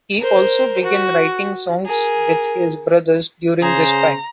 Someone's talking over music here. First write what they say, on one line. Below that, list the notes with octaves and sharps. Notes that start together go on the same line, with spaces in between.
He also began writing songs with his brothers during this time.
A#4 C5
F#4
G#4 A#4
C#3 G#4 C5 A#5